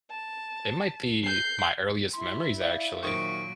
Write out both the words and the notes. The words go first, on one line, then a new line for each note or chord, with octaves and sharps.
it might be my earliest memories, actually,
A5
G6 C7
E4 C6
D5 E5 F5
A#2 D#3 F#3 C5 C#5 C#6 D7